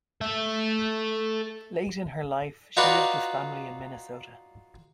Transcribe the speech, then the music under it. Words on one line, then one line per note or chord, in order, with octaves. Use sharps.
Late in her life, she lived with family in Minnesota.
A4 E5
D#4 F4 F#4 B4 D5